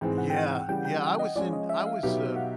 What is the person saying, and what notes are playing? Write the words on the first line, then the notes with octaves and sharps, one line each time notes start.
Yeah, yeah, I was in I was, um,
G#2 E3 G#3 C4 G5
F#5
G5
F#5
F#5
C#3 E3 G3 G5
G5
F#5
D#5
F3 G#3 C#4 D5
D#5
E5
F5
B2 F#3 B3 D#4 G4 F5
F#5